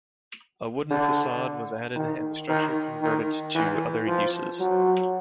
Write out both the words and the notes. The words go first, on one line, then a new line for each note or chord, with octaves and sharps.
A wooden facade was added and the structure converted to other uses.
D3
D#3
D#3
D#3
E3
F3
F#3